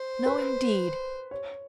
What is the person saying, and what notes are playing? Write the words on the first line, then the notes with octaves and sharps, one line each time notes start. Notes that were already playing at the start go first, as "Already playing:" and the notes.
No, indeed!
Already playing: C5
B4
C#5